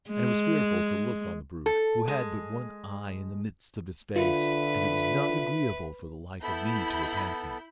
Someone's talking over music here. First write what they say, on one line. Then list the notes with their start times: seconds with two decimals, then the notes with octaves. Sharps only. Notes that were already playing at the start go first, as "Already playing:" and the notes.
And it was fearful to look on the brute, who had but one eye in the midst of his face; and it was not agreeable for the like of me to attack him.
0.10 G#3
1.66 A4
2.08 G#3
4.16 D3 F4 B4 E5
6.43 B3 E4 A4 B5 G6